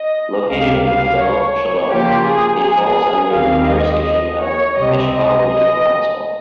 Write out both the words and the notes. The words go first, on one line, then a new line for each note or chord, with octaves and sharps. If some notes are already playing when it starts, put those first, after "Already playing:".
Located in Hevel Shalom, it falls under the jurisdiction of Eshkol Regional Council.
Already playing: D#5
C#2 C3 G3 F5
F5
C#5
C#3 F3 A#3 F4 G4
G#4
G#4
D#2 D#3 G3 C4 F5
D#5
C#5
C#2 C3 G3 C4 D#5
D#5